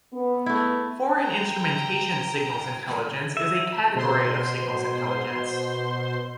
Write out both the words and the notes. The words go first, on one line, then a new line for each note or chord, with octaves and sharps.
Foreign instrumentation signals intelligence is a category of signals intelligence.
B3
A3 E4
G5 A#5
E5
B2 C5 C6